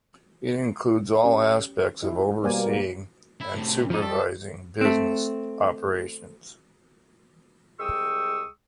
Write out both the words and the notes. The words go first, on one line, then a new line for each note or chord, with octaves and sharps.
It includes all aspects of overseeing and supervising business operations.
C#4 G4
E4 F4 D#5
B2 G3 A#3 C5 D5 G#5
E4
A2 C3
F2 F3 D#4
G3 A4
A3 C4
C2 G#3 G5 C#6 D#6 E6